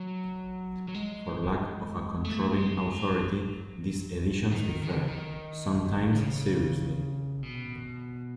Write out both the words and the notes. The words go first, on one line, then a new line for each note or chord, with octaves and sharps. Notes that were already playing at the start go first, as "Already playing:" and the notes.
For lack of a controlling authority, these editions differ, sometimes seriously.
Already playing: F#3
F#3
G#3
A3
G#3
F#3
D#3
D#3
C#3
D#3
C#3
B2